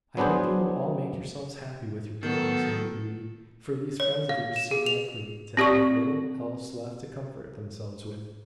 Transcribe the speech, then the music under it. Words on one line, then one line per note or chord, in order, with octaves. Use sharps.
"I hope you will all make yourselves happy with your greatness and your beauty: for these friends of yours seem likely to have little else left to comfort themselves with."
F#3 B3 D4 G#4 C5
D#3 F#3 B3 A4
C#5
F5
E7
G#4
F7
C4 G4 D5 C#6